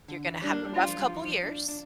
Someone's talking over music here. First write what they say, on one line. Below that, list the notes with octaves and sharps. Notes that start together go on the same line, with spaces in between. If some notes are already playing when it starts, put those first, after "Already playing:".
you're gonna have a rough couple of years"
D3
E3
G3 D4
A#3
G3
G3 F4
F3
G3
F3
E3
F3
D4
D4